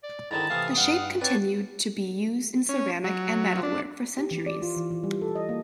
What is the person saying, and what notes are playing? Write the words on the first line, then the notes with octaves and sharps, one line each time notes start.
The shape continued to be used in ceramic and metalwork for centuries.
D5
G#2 D3 D#3 E4 A5 A#5
C3 E3 A3 F5 D#6
G2 F5 F#5
C4 D4 B4 C#5 A5
C#4
F#3
D4
G4
E3
D5
F4
E3
E3
G3
A4
D#5
A#3